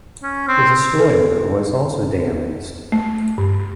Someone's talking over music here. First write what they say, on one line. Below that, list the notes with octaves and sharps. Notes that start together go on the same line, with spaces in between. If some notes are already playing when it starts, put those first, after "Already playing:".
The destroyer was also damaged.
C#4
C4
A4
A3
G2